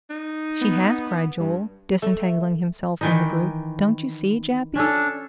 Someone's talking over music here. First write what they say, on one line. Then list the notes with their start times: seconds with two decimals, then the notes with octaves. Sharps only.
"She has," cried Joel, disentangling himself from the group, "don't you see, Jappy?"
0.10 D#4
0.61 B3
1.40 G2
2.02 A3
3.01 D#3 E3 D#4
4.76 C#4 D4 A4